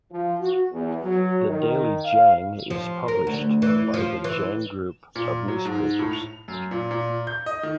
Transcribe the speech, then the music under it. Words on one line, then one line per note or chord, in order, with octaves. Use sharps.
The "Daily Jang" is published by the Jang Group of Newspapers.
F3
F#4
E2
F#3
D#3
F5
F3
A#4
D2
E3
F3
E3
A#2
F#3
G#2
A2
F7
F#2
A#2
A#2
G6
D#5
D#3